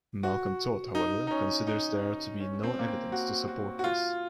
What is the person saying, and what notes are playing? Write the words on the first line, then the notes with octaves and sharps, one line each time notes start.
Malcolm Todd however considers there to be no evidence to support this.
F#4
D#4
D#4
C#4
D#4
C#4
C4
A#3
C4
F#4
F#4
F#4
F4